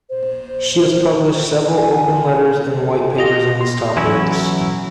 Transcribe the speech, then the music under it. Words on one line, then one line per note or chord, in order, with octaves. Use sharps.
She has published several open letters and white papers on these topics.
C5
G#5
G#4 A4
F4 G4 D#5 A#6 F7
C6
E3 F#3 C#4 E4